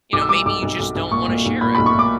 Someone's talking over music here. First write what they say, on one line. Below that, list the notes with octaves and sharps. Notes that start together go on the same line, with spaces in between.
You know, maybe you just don't wanna share it.
B1 D6
E6
G3 D6
B1 D6
B1
B1
B1
A#2 C#6
A#2
B1
A#2 B5
B1 B5
C#6
A#2 D6